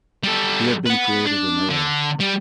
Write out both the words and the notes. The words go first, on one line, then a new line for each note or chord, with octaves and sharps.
He had been created an Earl.
G3 A4
B4 F#5
D4
D3
G3